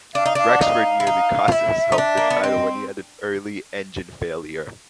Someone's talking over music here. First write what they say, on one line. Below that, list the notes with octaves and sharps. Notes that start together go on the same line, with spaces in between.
Rexford nearly cost himself the title, when he had an early engine failure.
D4 F5
D#4
D4 F5
F#5
D#4 F5
E4
D#4
F4
E4 E5
D#4
D4
A#3
B3
C4 D#5